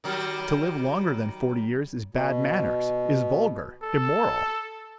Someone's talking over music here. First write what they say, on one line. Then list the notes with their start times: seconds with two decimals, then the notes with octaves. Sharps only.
To live longer than forty years is bad manners, is vulgar, immoral.
0.04 D#3 F#3 G3
2.14 B2
3.83 A4